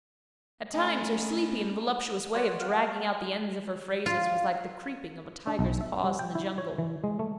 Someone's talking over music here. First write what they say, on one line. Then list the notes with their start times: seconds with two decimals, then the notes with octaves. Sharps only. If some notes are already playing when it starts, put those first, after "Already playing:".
At times her sleepy and voluptuous way of dragging out the end of her phrases was like the creeping of a tiger's paws in the jungle.
0.74 A3 C#4 D#4 D#5 G#5 A#5 B5
2.34 C#5 D5 F#5 C6
2.60 F5 F#5
4.06 F4
5.47 D4
5.59 B1
5.81 E5
6.04 G3
6.19 G5
6.35 E4
6.58 C#5
6.78 E3
7.04 G#3
7.19 A3